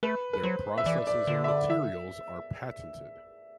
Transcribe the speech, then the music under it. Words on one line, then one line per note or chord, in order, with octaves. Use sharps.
Their processes and materials are patented.
A3 B4
B4
F#3 C5
E5
E3 D5
D5
D3
E5
D5
E5